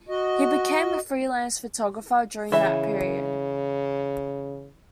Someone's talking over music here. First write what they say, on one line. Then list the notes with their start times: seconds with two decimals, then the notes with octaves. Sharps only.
He became a free-lance photographer during that period.
0.09 F#4 D#5
2.52 C#3 E3 E5